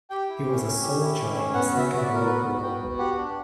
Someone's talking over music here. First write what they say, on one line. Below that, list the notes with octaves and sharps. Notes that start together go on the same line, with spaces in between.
He was a soldier in the Second World War.
G4 G5
E4
C#4
C#4
G4
E4
C#4
C#4
B3 F#5
F#4
E5
B3
E5
D5
F#4
A#4
B3 B4
F#4
B3 G5
F#4
G4 F#5
D4